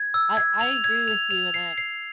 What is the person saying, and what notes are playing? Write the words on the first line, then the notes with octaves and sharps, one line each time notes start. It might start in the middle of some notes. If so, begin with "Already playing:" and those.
I I agree with you, and I
Already playing: G#6
E6
G#6
F7
G#6
F7
F7
C7
C7